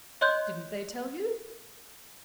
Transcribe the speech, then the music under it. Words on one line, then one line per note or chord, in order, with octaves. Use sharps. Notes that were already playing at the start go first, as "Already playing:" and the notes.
Didn't they tell you?
C#5 D#5 C6 F#6 G6